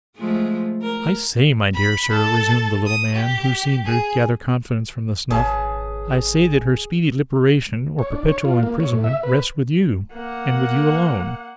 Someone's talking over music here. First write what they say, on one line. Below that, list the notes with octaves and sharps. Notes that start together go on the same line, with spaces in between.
'I say, my dear Sir,' resumed the little man, who seemed to gather confidence from the snuff--'I say, that her speedy liberation or perpetual imprisonment rests with you, and with you alone.
F3 G#3 A3
A#4
B5
A4
D#6
G4
G#4
G#1 C#3 G#4 B4 A5
C#5
D4
C#5
F4
A#3
C#5
A2
E5
B4
A#3 F#5